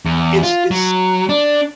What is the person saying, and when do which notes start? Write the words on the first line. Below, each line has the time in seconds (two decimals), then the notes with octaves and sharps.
It's it's
0.06 E2
0.43 F4
0.71 F#3
1.29 D4